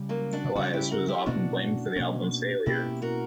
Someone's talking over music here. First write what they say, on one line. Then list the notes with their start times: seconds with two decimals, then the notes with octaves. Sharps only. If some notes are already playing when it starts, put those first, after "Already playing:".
Elias was often blamed for the album's failure.
Already playing: C#3 G3 C#4
0.09 F#3 A#3
0.33 D4 F#4
0.56 C#3 G3 C#4 D4 F#4
0.73 E4 G4
0.91 F#4 A#4
1.08 E4 G4
1.26 B2 A#3 C#4 D4 F#4
1.96 B2 A#3 C#4
2.66 B2 A#3 C#4 E4 G4
3.02 F#4 A#4